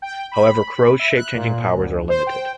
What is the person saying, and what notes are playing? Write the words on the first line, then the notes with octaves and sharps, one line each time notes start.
However, Kro's shape-changing powers are limited.
G5
B5
E5
F#6
A#2
D2
C5
G5